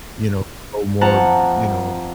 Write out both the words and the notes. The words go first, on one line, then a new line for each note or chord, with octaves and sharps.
you know, grow more, you know,
F2 F#5 A5 A#5